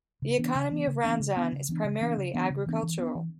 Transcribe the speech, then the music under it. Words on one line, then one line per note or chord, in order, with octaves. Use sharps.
The economy of Ranzan is primarily agricultural.
C#3
E3 B3 D4
C#3
E3 B3 D4
C#3
E3 B3 D4
C#3
E3 B3 D4
C#3
E3 B3 D4
C#3
E3 B3 D4
C#3
E3 B3 D4
C#3
E3 B3 D4
E3
B3 D4
E3